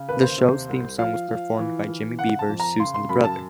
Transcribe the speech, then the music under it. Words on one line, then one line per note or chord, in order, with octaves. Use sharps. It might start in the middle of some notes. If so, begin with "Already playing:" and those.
The show's theme song was performed by Jimmy Beavers, Susan's brother.
Already playing: C#3
D#2 B4
C5
C3
C2
F3 F5
F3
E3
E3
C#3 F#5
A5
F2
A#5
C#3 C6
C6
F#2 B5
A5